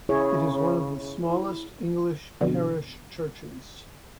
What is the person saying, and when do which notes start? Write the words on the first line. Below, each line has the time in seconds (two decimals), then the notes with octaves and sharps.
It is one of the smallest English parish churches.
0.09 C#3 E4 G#4 C#5
1.26 E4
2.41 F2 B2 D3